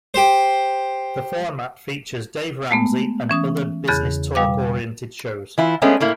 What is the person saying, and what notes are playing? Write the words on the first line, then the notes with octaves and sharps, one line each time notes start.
The format features Dave Ramsey and other business-talk oriented shows.
G4 C5
G#3 A3 B3
E3 C#4 D#6
E2 C#3 G#4 B5 F#6 A6
B2 G3 F5 D6
E3 E4 F4
G#3 A3 B3 C#4 D4
A2 A#3 E4